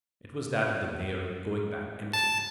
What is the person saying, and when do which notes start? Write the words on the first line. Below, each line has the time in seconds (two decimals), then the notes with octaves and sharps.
It was that of the mayor, going back empty.
2.13 A5